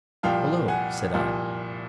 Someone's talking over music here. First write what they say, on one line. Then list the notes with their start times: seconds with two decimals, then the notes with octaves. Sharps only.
"Hullo," said I.
0.23 C2 A#2 F3 F5 G5
0.68 F#5 G#5
1.14 C2 A#2 F3